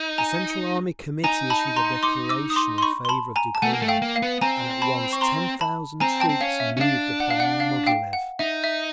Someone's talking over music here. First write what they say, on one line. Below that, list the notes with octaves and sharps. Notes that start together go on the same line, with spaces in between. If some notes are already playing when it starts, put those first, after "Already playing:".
The Central Army Committee issued a declaration in favour of Dukhonin; and at once ten thousand troops moved upon Moghilev....
Already playing: D#4
G#5 A#5
D#4 G#5 A#5
A5 B5
A#5 C6
C6 D6
D6 E6
D#6
C6 D6
C6
B5 C#6
C6
A5 B5
G#5 A#5
A5
A3 F#5 G#5
A#3
A3
F5 G5
A#3
F5
B3
C4 G#5 A#5
A5 B5
C#6
A#5 C6
A5 B5
C4 G#5 A#5
G5 A5
C4
C#4 F5
E5
C#4
D4 F5
F#5
F5
F#5
F5
F5 G5
F#5
D#4 E5
E5